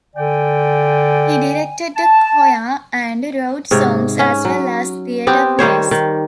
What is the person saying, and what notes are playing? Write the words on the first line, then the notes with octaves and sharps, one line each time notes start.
He directed a choir and wrote songs as well as theater plays.
D3 D5 G5 G#5
A5
G#2 C3 C#5
C#4
F#3
B3 C4 G4
D#3 G3 C5 C#5
D#3